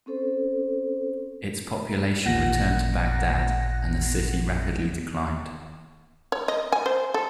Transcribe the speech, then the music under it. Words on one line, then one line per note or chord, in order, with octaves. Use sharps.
Its population returned to Baghdad and the city rapidly declined.
C4 C#4 A4 C5
A1 A#2 F#5 F#6 A#6
C#5
D#5
G#5
C5
A4